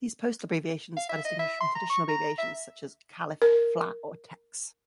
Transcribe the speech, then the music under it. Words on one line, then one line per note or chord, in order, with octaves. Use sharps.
These postal abbreviations are distinguished from traditional abbreviations such as Calif., Fla., or Tex.
F5
E5
D#5
E5
C6
A#5
C#6
A#5
E5
A#4